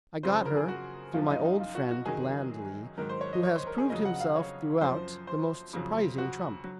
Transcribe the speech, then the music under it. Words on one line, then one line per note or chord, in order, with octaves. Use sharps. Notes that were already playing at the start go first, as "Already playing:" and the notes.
I got her through my old friend, Blandly, who has proved himself throughout the most surprising trump.
F#2 C#3 F3 C5
A#4
G#4
F#4
F#2 F3 F4
F4
D#4
D#4
F4
F#4
F#4
F#2 D#3 F#3 G#4
G#2 D#3 F#3 A#4
C5
C#5
D#5
C#5
C5
A#4
G#4
F2 C#3 F#3 D#5
F#5
F#5
F5
C#5
F#2 F3 C5
C5
F2 C#3 F#3
F#4
F#3